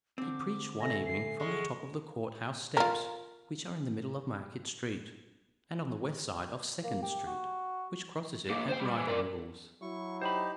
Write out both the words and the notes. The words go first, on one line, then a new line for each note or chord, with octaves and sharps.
He preached one evening from the top of the court house steps, which are in the middle of Market street, and on the west side of Second street, which crosses it at right angles.
D3 C4 D6
A4 E5 G#5 A#6
C7
B2 G#3 C#6
F4 A#4
A#3
G4
F#4
F3 A#3
C5 G5
G3
E3
A#4 D5
F#3 E4 C#6
D#4 G4 C5 B5